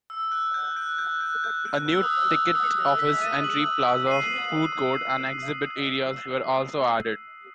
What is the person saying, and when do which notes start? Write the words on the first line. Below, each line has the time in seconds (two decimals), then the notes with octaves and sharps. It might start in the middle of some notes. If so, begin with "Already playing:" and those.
A new ticket office, entry plaza, food court and exhibit areas also were added.
0.10 E6
0.32 F#6
0.54 G6
0.77 F#6
0.98 G6
1.21 F#6
1.44 G6
1.65 F#6
1.88 E6
2.03 D#6
2.10 E6
2.33 E6
2.55 D#6
2.77 E6
2.99 B6
3.21 D#7
3.44 F#7
3.66 F#7
3.88 F#7
4.07 C7
4.11 D#7